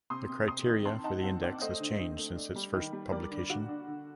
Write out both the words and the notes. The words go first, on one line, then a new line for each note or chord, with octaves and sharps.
The criteria for the index has changed since its first publication.
C3 C6 D#6
C3
C3 C6 D#6
D#3
C4 A5 C6
D#4 F#5 A5
C4
C4 D5 F#5
A3 C5 D#5
D3
D3
A3
D4
G3
D#3
G3
G3 A#4 D5
D3
D3 F#4
D4
D3